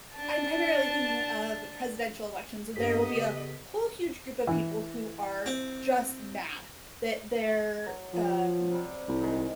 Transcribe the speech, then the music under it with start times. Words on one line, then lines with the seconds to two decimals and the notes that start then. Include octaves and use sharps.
I'm primarily thinking of presidential elections. There will be a whole huge group of people who are just mad that their, um,
0.13 D4 A5
2.76 G2 B3 G4 A4 D#5 B6
3.13 C#3
4.47 E3
5.46 C4
7.86 F#3
8.13 F3
8.71 C3 G3
9.08 C2
9.21 D#3 G#3